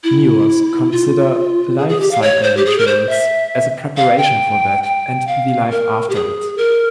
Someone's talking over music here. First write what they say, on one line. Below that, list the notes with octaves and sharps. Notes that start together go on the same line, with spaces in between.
Newars consider life-cycle rituals as a preparation for death and the life after it.
E4
F4
G#4
G#4
G4
F5
C#5
C5
G4
G#4
A#4
C5
E5
F5
G5
G5
F5
A#4
G4
G#4
A#4